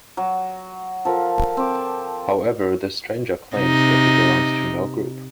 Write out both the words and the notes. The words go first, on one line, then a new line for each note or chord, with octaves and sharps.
However, the Stranger claims that he belongs to no group.
F#3
F3 A4 A#4
C4 D6
C3 D#4